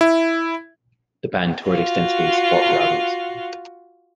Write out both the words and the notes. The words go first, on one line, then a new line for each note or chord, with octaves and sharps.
The band toured extensively in support of their albums.
E4
F4 F#4